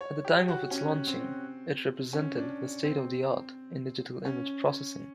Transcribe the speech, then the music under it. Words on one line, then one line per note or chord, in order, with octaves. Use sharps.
At the time of its launching, it represented the state-of-the-art in digital image processing.
C#5
G4
F#4
C#4
C4
C#4
D4
C4
C#4